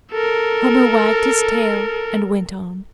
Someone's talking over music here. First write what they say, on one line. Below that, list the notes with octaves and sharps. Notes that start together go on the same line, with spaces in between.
Homo wagged his tail, and went on.
A4 A#4